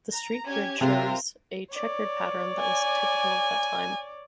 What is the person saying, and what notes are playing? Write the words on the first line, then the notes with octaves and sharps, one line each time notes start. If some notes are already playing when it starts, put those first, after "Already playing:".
The street grid shows a chequered pattern that was typical of that time.
A#5
C#4 G4 G#6
C3 F4 A#4 C5
C#5 D5
G#5